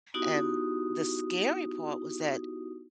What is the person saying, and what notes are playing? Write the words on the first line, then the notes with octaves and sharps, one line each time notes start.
and the scary part was that,
B3 D#4 E4 F#4 G4 D#6